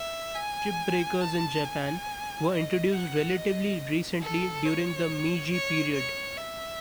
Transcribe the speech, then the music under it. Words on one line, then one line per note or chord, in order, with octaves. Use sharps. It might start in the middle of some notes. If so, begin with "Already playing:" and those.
Chip breakers in Japan were introduced relatively recently during the Meiji period.
Already playing: E5
G#5
A5
G#5
D#5
F#5
D#5
A4
C#5
C#5
C#5
E5